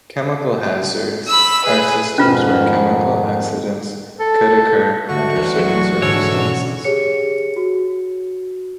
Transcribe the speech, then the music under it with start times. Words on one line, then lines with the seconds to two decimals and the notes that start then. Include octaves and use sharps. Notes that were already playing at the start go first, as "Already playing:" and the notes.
Chemical hazards are systems where chemical accidents could occur under certain circumstances.
1.28 B5 E6
1.65 G#4 B4
2.18 F2 G#2 D#3 C#4 F4 B4
4.20 A4
5.08 D3 A3 F#4 C#6
5.36 A1 D2 B4
5.59 F#3
6.02 G#2 D3 C#4 D4 E4 C#5 E6
6.29 B2
6.84 G4 G#4 C#5 C#7
7.56 F#4